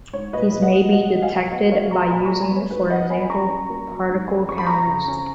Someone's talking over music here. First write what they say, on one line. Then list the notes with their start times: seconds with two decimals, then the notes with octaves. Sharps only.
These may be detected by using for example particle counters.
0.13 G#2 C#5
0.33 A#2 B4 D#5
0.53 A#2
0.62 D#5 F#5
0.73 F#3
0.93 B2 D#5 F#5
1.13 C#2
1.22 F5 G#5
1.32 B2
1.52 B3 D#5 F#5
1.72 F#3 C#5 F5
1.91 F#3 A#5 C#6
2.11 A#2 G#5 B5
2.26 G#3 A#5 C#6
2.41 G#5 B5
2.51 B3 C#5
2.70 G#2 B4
2.90 F#3 D#5 F#5
3.10 B3 G#5 B5
3.30 C#4 A#5 C#6
3.50 C#4
3.70 A#3
3.89 F#3
4.09 G#2
4.28 C#4
4.48 F2 C#6
4.58 B5
4.66 F2 A#5 C#6
4.88 C#3
5.08 C#4